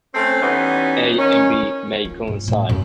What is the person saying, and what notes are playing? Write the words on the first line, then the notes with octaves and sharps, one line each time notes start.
"A" and "B" may coincide.
A3 C4 C#4
E3 G3 B3 C#4 D#4
D#3 C#4
F4
G#2
A2
F#2